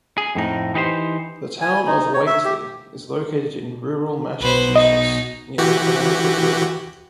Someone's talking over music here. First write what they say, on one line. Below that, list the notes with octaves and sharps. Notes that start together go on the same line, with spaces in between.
The Town of Whately is located in rural Massachusetts, near the Connecticut River.
G#4
F2 A2 D#4
E3 D#4 G4 B4 C5
G#5
D#4
C#5
E5
G4
B1 B2 B4 C5
D#4 D#5
E3 F#4 G4